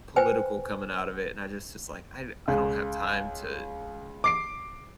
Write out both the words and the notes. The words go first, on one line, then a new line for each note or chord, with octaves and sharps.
political coming out of it, and I just it's like, I I don't have time to
B4 C5 G5 G#5
C#2
D6 C7 D7